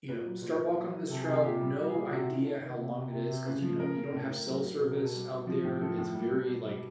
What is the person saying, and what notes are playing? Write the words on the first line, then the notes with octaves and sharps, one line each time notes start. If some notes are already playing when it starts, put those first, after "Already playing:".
you know, start walking on this trail, no idea how long it is 'cause, you know, you don't have cell service out there. It's very like
A#2 B4
F#3
A#2 B4
A#4
A#2
A#4
F#3
F#3
C3 A4
G#4
C3
G#4
A#2 G4
G3
G3 F#4
G#4
A#2
G4
C3 F#4
E4
D#3
F4
D#3 A4
A#4
C3
B4
C3
C3
C3
C3
C#3 B4
F3
C#3 A#4
C#3
A2 A4
A#4
A2
F#3 A#4
F#3
B2 B4
A#4
B2
A4
G3
B2
F3
A2
F3 A4
A2
G3
G3
B2
G3